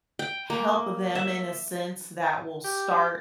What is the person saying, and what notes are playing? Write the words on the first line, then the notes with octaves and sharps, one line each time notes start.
help them, in a sense that will start
G5
A#3
E5
G4